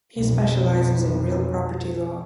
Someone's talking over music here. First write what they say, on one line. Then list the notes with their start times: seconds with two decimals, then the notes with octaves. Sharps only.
He specializes in real property law.
0.18 B1 F2